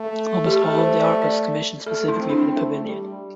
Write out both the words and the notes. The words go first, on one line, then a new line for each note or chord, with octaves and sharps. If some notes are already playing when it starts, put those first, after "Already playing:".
Almost all of the art was commissioned specifically for the pavilion.
Already playing: A3
G4
A4
C5
D5
D5
A3 A4
E4
C4
D4
A3
G3